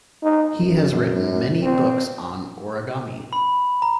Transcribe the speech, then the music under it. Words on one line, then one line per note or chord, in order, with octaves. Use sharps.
He has written many books on origami.
D#4
F#2
C4
B5
A#5